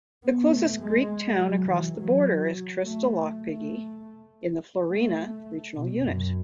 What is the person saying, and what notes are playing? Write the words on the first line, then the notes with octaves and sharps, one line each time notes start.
The closest Greek town across the border is Krystallopigi in the Florina regional unit.
B3
A3
G#3
F#3
E3
F#3
A3
A3
A3
B2
F#2